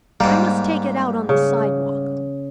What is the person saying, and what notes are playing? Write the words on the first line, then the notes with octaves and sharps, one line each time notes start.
I must take it out on the sidewalk.
G#2 G3 A#3
C#3